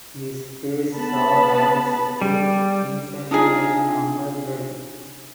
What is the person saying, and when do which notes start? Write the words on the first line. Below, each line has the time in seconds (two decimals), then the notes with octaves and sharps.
This phase saw rapid shift to incineration of the dead.
0.96 B3 A5 B5
2.22 G3
3.31 D4 D#4 F4 G#4